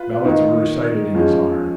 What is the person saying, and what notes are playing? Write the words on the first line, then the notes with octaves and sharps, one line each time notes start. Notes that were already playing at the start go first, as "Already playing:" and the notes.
Ballads were recited in his honour.
Already playing: F4 B4
D#3 A#3 D#4
F3 G#3 C#4